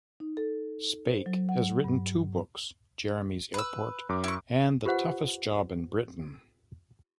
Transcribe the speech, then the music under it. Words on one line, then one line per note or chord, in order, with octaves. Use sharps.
Spake has written two books: "Jeremy's Airport" and "The Toughest Job in Britain".
D#4
A4
C5
F#3
F#5
G2
B4 E6
F#2 D6
E4 C#6
F4 G4 B4 C5 F#5